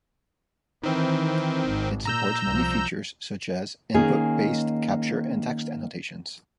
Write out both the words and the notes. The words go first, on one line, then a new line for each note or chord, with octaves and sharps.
It supports many features such as input-based capture and text annotations.
D#3 E3 C4
G#1
A#2 A#5 E6 G6
C2 F3
D#3 A#3 C#4 D#4 G#4